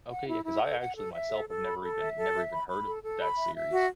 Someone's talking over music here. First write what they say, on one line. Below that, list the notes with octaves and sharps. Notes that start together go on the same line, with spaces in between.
Okay, yeah, 'cause I actually myself have never even never even heard of that series,
F#5
E4
E4
A4
F#5
A4
E5
A4
A4
B5
A4
E5
A4
E5
B5
B5
A4
A4
B5
E5
E5
F#4